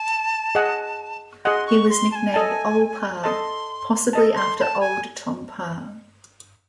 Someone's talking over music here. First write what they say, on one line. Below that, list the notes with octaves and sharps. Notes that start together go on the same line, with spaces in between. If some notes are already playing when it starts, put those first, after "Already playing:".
He was nicknamed "Ole Parr", possibly after Old Tom Parr.
Already playing: A5
G#4 D#5 F#5
G#4 D#5 F#5 C6
C#6
C6
A5
G#5
A4 D#5 A5
A4 D#5 A5 C6
A4 D#5 A5
C6
C6
A5
G#5